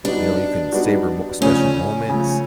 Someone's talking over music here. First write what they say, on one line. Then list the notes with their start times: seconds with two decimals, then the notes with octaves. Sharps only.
you know, you can savor mo special moments
0.04 G3 B3 D4 D#4 F#4
0.72 G3 B3 D#4 F#4
1.41 C#3 F3 A3 C#4
2.09 C#3 F3 A3